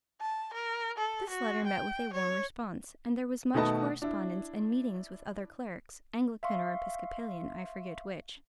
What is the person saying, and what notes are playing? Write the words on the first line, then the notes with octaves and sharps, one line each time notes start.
This letter met with a warm response, and there was much correspondence and meetings with other clerics-Anglican or Episcopalian, I forget which.
A5
A#4
A4
F#4
G5
C#5
B2 D#3 A3 B4 D#5 A5
D4 E4
E5 F5 C6 C#6